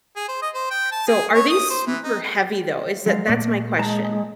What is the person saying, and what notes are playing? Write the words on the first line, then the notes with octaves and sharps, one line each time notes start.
So, are they super heavy though? Is th that's my question.
G#4
C5
D#5
C5
G5
A5
G#4
C#5
D#6
C5
E3
D#4
F#3 G#3 F5
A#2 A3 A#3 D5
G#3 A5 A#5